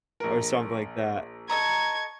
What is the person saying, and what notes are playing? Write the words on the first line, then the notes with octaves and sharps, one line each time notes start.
or something like that.
A#1 A#4
A4 D#5 A#5 C#6 G#6